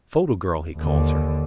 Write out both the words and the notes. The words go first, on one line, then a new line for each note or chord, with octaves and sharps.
Photo girl he calls her.
D#2 D3